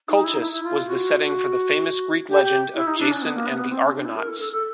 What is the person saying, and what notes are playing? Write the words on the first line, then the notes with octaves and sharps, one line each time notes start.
Colchis was the setting for the famous Greek legend of Jason and the Argonauts.
D#4
E4
D#4
E4
E4
F4
F#4
G4
G4
E4
D#4
D4
C#4
B3
A#3
B3
B3
C4
C#4
D4
E4
A#4
A4
A4
A4